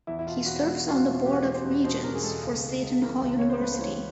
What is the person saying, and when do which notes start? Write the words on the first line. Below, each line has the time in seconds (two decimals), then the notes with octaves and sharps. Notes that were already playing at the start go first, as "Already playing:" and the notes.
He serves on the board of regents for Seton Hall University.
0.07 E2 E4
0.19 E4
0.27 B2 F4
0.46 E2 F#4
0.66 G#3 F#4
0.85 E2 F4
0.95 F#4
1.06 B2
1.24 E2 G4
1.33 F#4
1.40 G#3 G4
1.54 C5
1.65 E2
1.84 B2 C5
2.04 E2 A#4
2.15 G#4
2.23 G#3 A4
2.43 C#2
2.63 C#3
2.82 G#3
3.02 E3 A#4
3.22 C#2
3.39 C#3 C#5
3.50 C5
3.61 G#3 B4
3.73 C5
3.81 E3 C#5